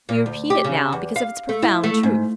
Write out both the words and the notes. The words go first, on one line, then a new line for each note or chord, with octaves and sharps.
We repeat it now because of its profound truth.
A#2
D2
G4
C#3
E2
F5
A3
E4
A3
G#2